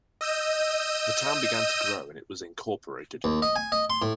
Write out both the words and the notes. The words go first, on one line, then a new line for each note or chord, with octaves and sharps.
The town began to grow and it was incorporated.
D#5 E6 G6 D#7
D#2
D#5
G#5
D#5
C6
A2